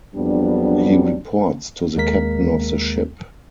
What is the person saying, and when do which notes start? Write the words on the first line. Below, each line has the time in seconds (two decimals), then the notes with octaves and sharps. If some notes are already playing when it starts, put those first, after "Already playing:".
He reports to the captain of the ship.
0.16 F2 F#3 G3 B3 D4
1.96 D#2 G#3 A#3 A#4 B6